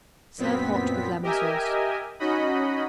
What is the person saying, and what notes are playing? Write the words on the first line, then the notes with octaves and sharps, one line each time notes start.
Serve hot with lemon sauce.
F#2 A#2 B3 C4 B6
G4 A#4 D#5 E5 G#5
C#4 D#4 F#4 D#5 B5